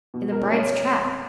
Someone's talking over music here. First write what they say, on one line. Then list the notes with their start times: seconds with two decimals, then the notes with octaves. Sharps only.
"In the bride's trap."
0.14 B2
0.32 A#4
0.41 C#4
0.51 C#5